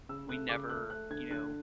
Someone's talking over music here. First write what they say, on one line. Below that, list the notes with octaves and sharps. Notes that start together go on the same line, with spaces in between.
we never you know,
C#3 E6
A3 F#6
C#3 D6
A3 F#6
A3 F#6
D3 G#6
D3 F#6